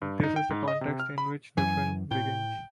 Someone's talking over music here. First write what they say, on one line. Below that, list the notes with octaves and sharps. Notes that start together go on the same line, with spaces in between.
This is the context in which the film begins.
G2
D#4
G5
G#2
D#5
C3
F6
B5
F#2 E3 G#5
A2 G5